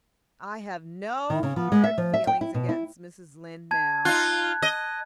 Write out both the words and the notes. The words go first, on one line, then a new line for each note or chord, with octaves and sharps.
I have no hard feelings against Mrs. Lynde now.
D#3
C#3
F3
G#3
E5
F3
E5
G5
E4
B2
E4
A5 G#6
D#4 F4 F#6
D#5